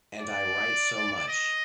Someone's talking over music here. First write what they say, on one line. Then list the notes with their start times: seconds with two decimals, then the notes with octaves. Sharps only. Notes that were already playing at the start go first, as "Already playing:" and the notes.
And I write so much.
0.20 D5
1.28 D#5